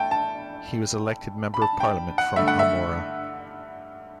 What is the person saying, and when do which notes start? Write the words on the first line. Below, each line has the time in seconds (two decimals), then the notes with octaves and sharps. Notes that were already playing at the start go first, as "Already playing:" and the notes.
He was elected Member of Parliament from Almora.
Already playing: A3 G5 A5
0.11 A5
1.54 B5
1.62 A5
1.80 G5
2.18 F#5
2.36 G2 D3 A3 E5
2.48 F#5
2.59 E5